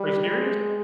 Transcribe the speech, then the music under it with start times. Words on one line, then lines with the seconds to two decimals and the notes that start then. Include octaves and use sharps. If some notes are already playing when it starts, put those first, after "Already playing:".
Are you serious?
Already playing: G3
0.25 G#3